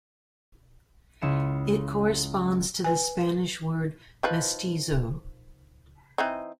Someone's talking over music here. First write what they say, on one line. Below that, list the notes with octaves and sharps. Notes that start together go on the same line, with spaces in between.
It corresponds to the Spanish word "mestizo".
C#2 E4 C#7 D#7 E7
B4 G#5
D#3 F3 B4
E3 C4 D#4